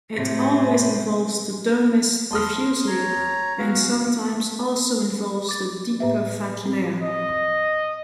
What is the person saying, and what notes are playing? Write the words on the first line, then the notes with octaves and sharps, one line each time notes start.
It always involves the dermis diffusely, and sometimes also involves the deeper fat layer.
A2 C3
A5 C6 D#6 F6
C#5 A#5
B3 F#4 F5
D6 A6
A2 B4 E5
C4
D#5